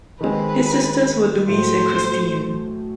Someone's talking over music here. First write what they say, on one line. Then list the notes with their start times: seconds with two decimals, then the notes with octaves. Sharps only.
His sisters were Luise and Christine.
0.21 D#3 G#3 C4 B4
1.48 A2 F#3 A3 C5